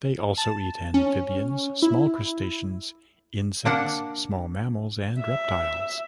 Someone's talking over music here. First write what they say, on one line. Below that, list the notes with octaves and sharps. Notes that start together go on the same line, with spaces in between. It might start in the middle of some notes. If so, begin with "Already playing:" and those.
They also eat amphibians, small crustaceans, insects, small mammals and reptiles.
A5
C#4
E4
A#3 D4 F#5
E5